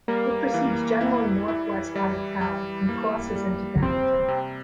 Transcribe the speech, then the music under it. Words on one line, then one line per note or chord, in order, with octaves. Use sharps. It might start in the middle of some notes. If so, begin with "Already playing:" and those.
It proceeds generally northwest out of town and crosses into Bennington.
G3 A#3
E3
E4
E4
G3
G3
A#3
G3
C3 C4
C3